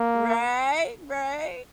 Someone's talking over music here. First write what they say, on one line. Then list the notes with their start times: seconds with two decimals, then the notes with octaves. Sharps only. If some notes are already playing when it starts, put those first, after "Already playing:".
Right, right.
Already playing: A#3